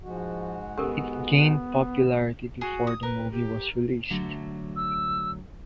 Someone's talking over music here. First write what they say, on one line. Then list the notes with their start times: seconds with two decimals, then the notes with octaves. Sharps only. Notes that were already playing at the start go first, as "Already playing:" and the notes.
It gained popularity before the movie was released.
0.02 G#2 F3 G#3 F#4
0.78 B3 G4 A4 A#4
2.61 F#4 G#4
2.87 D#6
3.03 A#4 B4
3.32 G4
4.10 D3 F#3 A3
4.76 E6